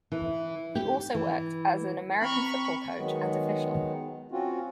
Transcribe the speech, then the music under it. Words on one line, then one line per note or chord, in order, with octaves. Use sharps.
He also worked as an American football coach and official.
E3
G4
E3
C4 A#5 B5 C#6
D#3 F#3 G#3 B3
C4 C#4 F4 F#4